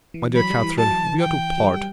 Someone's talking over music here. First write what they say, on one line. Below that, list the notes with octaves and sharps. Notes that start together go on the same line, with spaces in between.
My dear Catherine, we are to part.
E3
F#3 B5
G3
E3
F#3 A5
E3
G5
F#3
G3